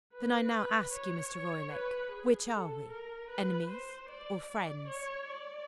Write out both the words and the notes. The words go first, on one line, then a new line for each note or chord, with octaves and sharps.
"Then I now ask you, Mr. Roylake: Which are we--enemies or friends?"
B4
B4
C#5
C#5
B4
G#4
A4
A#4
B4
C5
D5
D5
C#5
D5